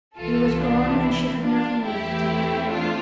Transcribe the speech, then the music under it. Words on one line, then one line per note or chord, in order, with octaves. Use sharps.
He was gone, and she had nothing left to her.
C2 C3 E3 F4 A4
D4 F4
E4
D4 F4
E2 E3 A3 C4 E4 G4
D4 F4